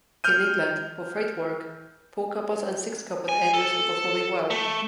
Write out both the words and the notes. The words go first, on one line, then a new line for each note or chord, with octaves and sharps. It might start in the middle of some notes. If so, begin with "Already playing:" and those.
In England, for freight work, four-coupled and six-coupled engines were performing well.
F6 G6 D#7
G#5
A4
A3